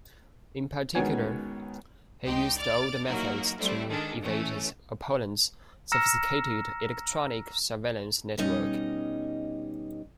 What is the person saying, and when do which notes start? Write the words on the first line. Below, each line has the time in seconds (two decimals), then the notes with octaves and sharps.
In particular, he used old methods to evade his opponent's sophisticated electronic surveillance network.
0.95 C#2 B2 D#3 B3 C#5 G#5
2.24 C#2 D#4 G4 G5 C6
2.57 D5 D6 F6 A6
3.05 F#3 A#3 D#4 E4 F#4 A#4
3.58 G3 A3 C4 E4
3.89 D#3 G#3 D4 G#4 A4
4.22 E3 A3 C#4
5.92 A#5 E6 F6 A#6 C#7 E7
8.38 B2 G3 C#4 D#4 D#5